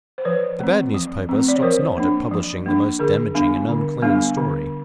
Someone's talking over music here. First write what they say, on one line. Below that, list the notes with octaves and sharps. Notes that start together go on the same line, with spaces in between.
The bad newspaper stops not at publishing the most damaging and unclean story.
C5
F3 B4 C#5
A3 C4
F3
A3 C4
D5
C#5
F3 A#4 C5
A#3 D4
F3
A#3 D4
D3 G#4 A#4
G3 B3 D4
D3
G3 B3 D4
D3